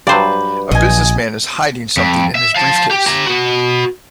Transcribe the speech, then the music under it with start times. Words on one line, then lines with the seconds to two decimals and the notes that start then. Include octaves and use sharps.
A businessman is hiding something in his briefcase.
0.07 G2 F#3 B4 C5 D5
0.71 A#1 D#5 G#5
1.97 F2
2.35 E5
2.56 F5 A5
2.91 G4
3.07 G4 A#5
3.27 B3 F#4